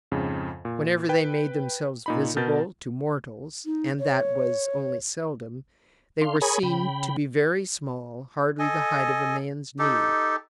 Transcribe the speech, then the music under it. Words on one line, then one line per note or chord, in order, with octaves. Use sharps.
Whenever they made themselves visible to mortals--and that was only seldom--they were seen to be very small, hardly the height of a man's knee.
F2 G#2 C#3
A#2
B4 G5
A#2 D#4 B5
B2 A#4 G6 A6
D#4
C#5
D4 F5 C6
G#4 A#4 C#5 G#5 B5 D#6
C#3 G5 B5
A4 D#5 G#5
D#4 G4 A4